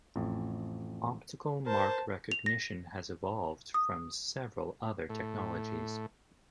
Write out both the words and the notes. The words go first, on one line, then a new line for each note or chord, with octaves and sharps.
Optical mark recognition has evolved from several other technologies.
A1 F2
A#4 C5 A5
F7
A#6
D#6
A2